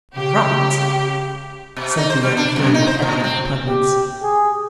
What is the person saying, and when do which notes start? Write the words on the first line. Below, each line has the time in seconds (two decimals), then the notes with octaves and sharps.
"Write!" said the young king, with evident repugnance.
0.15 C#3 G4
1.76 B2
1.97 D#4
2.10 C5
2.23 G3
2.37 D4
2.56 F#2
2.74 D#4
2.87 C5
3.02 A#2
3.24 C4
3.68 G4
4.23 G#4